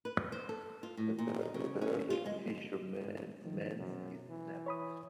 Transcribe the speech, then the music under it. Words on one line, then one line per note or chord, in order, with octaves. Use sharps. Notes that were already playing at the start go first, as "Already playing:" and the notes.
A bearded fisherman mends his net.
B4
C5
A4
F4
A2
A#2
D#4
C#3
C#4
F4
G#3
D#3 F3
F#2 B2
E3
C#5 B5 D#6